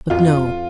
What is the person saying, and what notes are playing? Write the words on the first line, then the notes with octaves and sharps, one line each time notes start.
But no.
F2 F4